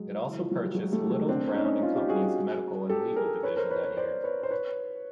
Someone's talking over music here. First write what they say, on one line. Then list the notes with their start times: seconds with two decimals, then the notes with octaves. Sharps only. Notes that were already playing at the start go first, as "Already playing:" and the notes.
It also purchased Little, Brown and Company's medical and legal division that year.
Already playing: F#3 G#3
0.28 E3
0.40 F3
0.51 F#3
0.63 G3
0.74 F#3 G#3
0.92 G3 A3
1.04 G3
1.10 F#3 G#3
1.29 C4 D4
1.46 D4
1.55 C#4 D#4
1.82 D#4 F4
1.95 F4 G4
2.08 F#4 G#4
2.22 F#4 G#4
2.90 G4 A4
3.16 G#4 A#4
3.43 B4 C#5
3.56 A#4 C5
3.71 B4 C#5
3.84 B4 C#5
3.97 C5 D5
4.24 B4 C#5
4.43 C5
4.51 B4 C#5